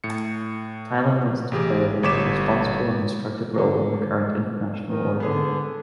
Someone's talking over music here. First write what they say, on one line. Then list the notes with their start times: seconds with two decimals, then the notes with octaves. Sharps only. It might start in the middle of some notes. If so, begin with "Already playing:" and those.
Thailand wants to play a responsible and constructive role in the current international order.
0.04 A2 C#7
1.52 A1 G4 G#4
2.03 G1 G4 C#5 D6 B6 E7
3.54 D3 A#3
4.89 D#3
5.20 D3 B3 G#4